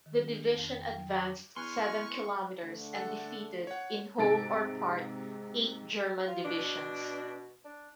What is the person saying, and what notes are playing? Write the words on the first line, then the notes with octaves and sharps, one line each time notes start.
The division advanced seven kilometers and defeated, in whole or part, eight German divisions.
D#3
D4
F2
G5
F#3
D6
E2 B4 G#5 C6 C#6 F6
D3 A3
A4 F#5
C#5 F#5
G#2 C3 A6 D7
F4
B2 D4
D4